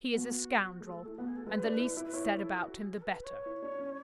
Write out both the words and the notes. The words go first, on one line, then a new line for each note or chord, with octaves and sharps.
He is a scoundrel, and the least said about him the better.
B3 F#4
G#3 B4
A4
A3
E4
B3 F#4
A3 G#4
A4
G#3 B4
D4
E4
E4
B4
E4 C#5
B4
A4
F#4
G#4
A4
B4
C#5
E4
D4
C#4